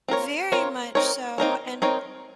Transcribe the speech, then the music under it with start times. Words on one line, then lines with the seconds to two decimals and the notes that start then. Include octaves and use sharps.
Very much so, and
0.08 C4 F4 A#4 C#5
0.52 C4 F4 A#4 C#5
0.95 C4 D#4 A#4 C#5
1.38 C4 D#4 A#4 C#5
1.82 C4 D#4 A#4 C#5